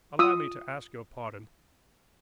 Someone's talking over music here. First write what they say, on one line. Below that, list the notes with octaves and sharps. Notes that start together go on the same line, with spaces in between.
Allow me to ask your pardon.
F4 D#6 E6